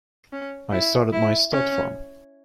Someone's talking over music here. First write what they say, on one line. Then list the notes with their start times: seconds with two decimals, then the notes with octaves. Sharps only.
I started my stud farm.
0.32 C#4
0.72 E4
1.12 E4
1.52 C#4